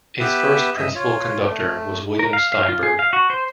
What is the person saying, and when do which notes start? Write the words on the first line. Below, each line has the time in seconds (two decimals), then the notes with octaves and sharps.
Its first principal conductor was William Steinberg.
0.20 B3 G4 B4 E5
0.77 G2 D#5 E5
0.95 F4 C#5
1.44 A3
2.19 A#4
2.33 F5
2.52 F5
2.69 F4
2.83 G#4
2.99 F5
3.13 F#4
3.30 C5